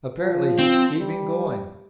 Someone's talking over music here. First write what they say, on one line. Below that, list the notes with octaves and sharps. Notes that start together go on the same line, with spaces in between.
Apparently he's keeping going.
F3
C4
G3